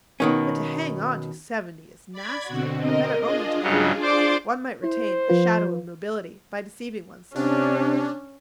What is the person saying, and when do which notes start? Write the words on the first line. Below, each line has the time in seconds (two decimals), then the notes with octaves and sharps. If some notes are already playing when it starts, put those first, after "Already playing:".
But to hang on to seventy is nasty, better only to thirty; one might retain 'a shadow of nobility' by deceiving oneself.
0.20 B2 D#3 C#4
2.12 D5 B5 G#6
2.48 B2 D3 C4 F#4
2.83 A#4 D#5
3.22 D4 F4 G#4 D#5
3.63 G2 C#3 F#3
4.03 C5 D5 C6 D6
4.84 E4 C5
5.28 F3 F4 B4
7.36 C3 C#4 D4